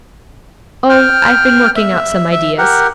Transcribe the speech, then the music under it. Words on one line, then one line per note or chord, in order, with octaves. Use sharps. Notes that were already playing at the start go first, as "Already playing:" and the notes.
'Oh--I've been working out some ideas.'
G5 F6
E5
E5
G4 A#4 F#5